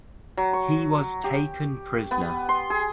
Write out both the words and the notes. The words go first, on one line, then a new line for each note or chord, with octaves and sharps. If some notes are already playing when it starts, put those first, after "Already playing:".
He was taken prisoner.
F#3
C#6
G4
B3
C6
G#4